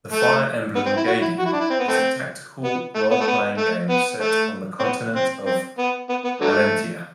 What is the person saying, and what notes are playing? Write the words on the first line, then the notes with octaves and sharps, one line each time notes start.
"Fire Emblem Gaiden" is a tactical role-playing game set on the continent of Valentia.
A3
B3
C4
E4
F#4
E4
F#4
E4
D4
E4
C4
B3
A3 C4
B3
A3
B3
A3
B3
A3
B3
A3
C4
B3
C4
C4
B3
B3
B3
D3 F#3 A3